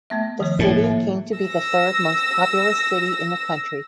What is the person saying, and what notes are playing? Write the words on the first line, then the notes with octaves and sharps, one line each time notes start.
The city came to be the third most populous city in the country.
A3 B3 E5
D#3 F3 C#5
A2 A#3 C#5
A#3 E5
E6 A#6